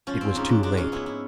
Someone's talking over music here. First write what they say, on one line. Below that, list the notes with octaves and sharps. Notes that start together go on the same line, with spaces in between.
It was too late.
F3 C#4
C4
G#2 C#4
D4
G#3 D4
C#4
B3 E4
E4